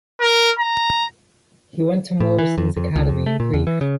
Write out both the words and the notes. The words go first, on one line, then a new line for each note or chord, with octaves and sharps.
He went to Morrison's Academy in Crieff.
A#4
A#5
A2
E3
F2
F2
C#2
F2
A3
A#2
E2
E3
C#3